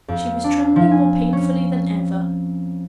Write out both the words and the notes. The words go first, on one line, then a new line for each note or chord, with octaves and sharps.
She was trembling more painfully than ever.
F2
D4
F3
G#5
C#4